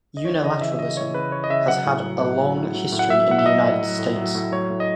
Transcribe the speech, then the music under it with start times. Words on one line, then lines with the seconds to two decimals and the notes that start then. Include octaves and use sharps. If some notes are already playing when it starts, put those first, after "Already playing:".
Unilateralism has had a long history in the United States.
0.17 D#5
0.25 E3 C#5
0.44 C#3 D#5
0.61 E3 E5
0.72 E5
0.79 C#3 D#5
0.96 E3 C#5
1.14 C#3 B4
1.32 E3 C#5
1.44 D#5
1.50 C#3 E5
1.68 F#3 F#5
1.86 A2
2.04 F#3
2.21 A2
2.39 F#3
2.57 A2
2.74 F#3
2.92 A2
2.99 F#5
3.10 F#3 E5
3.28 A2 F#5
3.38 E5
3.45 F#3 D#5
3.63 A2
3.82 F#3
3.99 A2
4.16 F#3
4.35 A2
4.52 F#3 C#5
4.70 A2
4.80 D#5